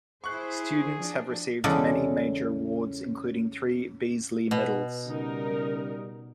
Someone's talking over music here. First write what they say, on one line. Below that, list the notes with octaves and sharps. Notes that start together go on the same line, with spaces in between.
Students have received many major awards including three Beazley Medals.
E4 G#4 C5 C#6 F#6
F3 D4
E2 C#3 G#3 A4 D5 F#5
B2 B4
C#3 G3 D#4 A#4